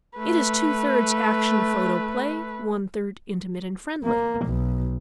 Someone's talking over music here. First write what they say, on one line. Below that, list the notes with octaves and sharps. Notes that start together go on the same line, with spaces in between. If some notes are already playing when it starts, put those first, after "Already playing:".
It is two-thirds Action Photoplay, one-third Intimate-and-friendly.
A3 B4
A#3
B1